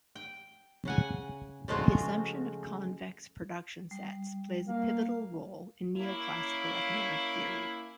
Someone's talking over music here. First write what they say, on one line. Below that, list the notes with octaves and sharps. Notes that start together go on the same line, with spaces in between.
The assumption of convex production sets plays a pivotal role in neoclassical economic theory.
G5
C#3 F#5 G#5
C#3 F3 G#3 A3 F4 F#4
G3
A#3 F5
A#3 C#4 E4